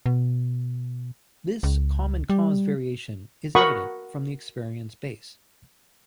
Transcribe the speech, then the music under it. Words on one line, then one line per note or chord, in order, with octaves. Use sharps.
This "common-cause variation" is evident from the experience base.
B2
C#2
G3
F#4 A#4 F#5 B5 C#6 D#6